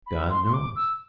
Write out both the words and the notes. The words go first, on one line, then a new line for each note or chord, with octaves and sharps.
God knows!
B5
C6
C6
D6
E6